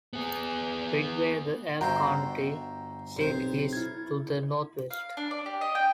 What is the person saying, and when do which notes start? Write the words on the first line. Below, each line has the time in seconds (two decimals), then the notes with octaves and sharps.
Ridgway, the Elk County seat, is to the northwest.
0.13 B3 G#4
1.81 G1 F#4 A4 C5 G5 A#5
3.16 B1 C3 C5
3.73 E4 G#6
4.91 F5
5.17 D4
5.31 D5
5.46 G4
5.61 D#5
5.75 G5